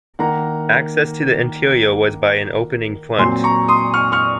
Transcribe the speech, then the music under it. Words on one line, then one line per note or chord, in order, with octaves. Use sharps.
Access to the interior was by an opening front.
D#3 A#3 F#5 A#5
A#2 F#3 C4 G#5 C6
A#5 C#6
C6 D#6
C#6 F6
C#6 F6